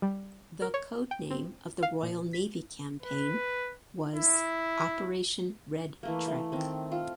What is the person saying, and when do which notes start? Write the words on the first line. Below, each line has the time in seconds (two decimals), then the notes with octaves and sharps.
The codename of the Royal Navy campaign was "Operation Red Trek".
0.02 G3
0.62 A#4
0.74 C#5
1.11 G5
1.31 C4
1.83 F5
2.02 A#2
2.33 B6
3.02 B4
4.15 E4
6.03 E3 A3 A#3
6.28 A3
6.52 D#3 C4
6.92 F4 A4